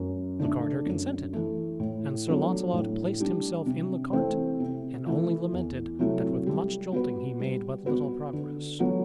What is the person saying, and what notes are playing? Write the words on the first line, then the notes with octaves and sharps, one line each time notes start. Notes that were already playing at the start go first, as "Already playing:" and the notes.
The carter consented, and Sir Launcelot placed himself in the cart and only lamented that with much jolting he made but little progress.
Already playing: F#2
D3 A3 D4
F#2
E3 A3
A2
F#3 B3 D4 A4
A2
G3 D4
C3
E3 A3 C4
C3
E3 A3 E4
E2
C3 F#3 A3 E4
G3
B3 F#4 B4
G3
B3 F#4 B4
D3
F#3 B3 F#4 A4